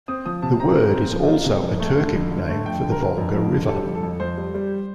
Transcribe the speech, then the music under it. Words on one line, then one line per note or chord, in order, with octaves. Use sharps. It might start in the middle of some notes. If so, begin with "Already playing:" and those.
The word is also a Turkic name for the Volga River.
C4 D#6
F3 D#6
C3 A5
C4 A#5
C4
C4
F3
F4
C3
F2
A3
D3
F2
D3
A3
F2 G5
D3
A#4
D3
F2
F2
D3
G3 A4
F2
A4
F2
F2 C5
G3
G3